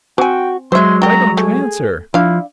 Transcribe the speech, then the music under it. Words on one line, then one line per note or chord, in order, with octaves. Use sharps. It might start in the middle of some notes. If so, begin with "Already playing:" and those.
Why don't you answer?
C4 F#4 G5 G#5
F#3 G#3 C5 E5 C6
F#4 G4 A#4 A#5
A3 G#4
F3 D4 E4 F5